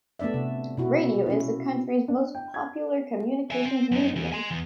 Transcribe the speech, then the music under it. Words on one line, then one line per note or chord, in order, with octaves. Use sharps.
Radio is the country's most popular communications medium.
A3 B3 D4 D5 E5
C3
B2 E4 F#4
C#4 E4
D4
G5
G#6
E5 G#5
C4
F#2 D#4
E2
G#5 C6
E2